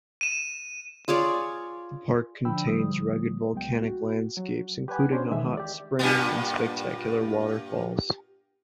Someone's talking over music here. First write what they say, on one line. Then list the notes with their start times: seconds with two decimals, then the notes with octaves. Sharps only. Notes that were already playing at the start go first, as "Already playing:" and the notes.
The park contains rugged volcanic landscapes including a hot spring and spectacular waterfalls.
0.21 D#7 E7
1.08 F4 G#4 C#5 D5
2.45 D3 F3 D4 G5 B5 E6
2.67 C2 D3 F3 G3 D#6
3.53 C#2 F#3 G#3 B3 G5
3.81 F#4
4.37 F#3
4.88 G4 B4 F#5 G#5
5.11 C#4 D4 G#4 B4 C5
5.30 C#2 D#3 E3 G#3 E5
5.57 G4 D5
5.99 G2 A#2 B3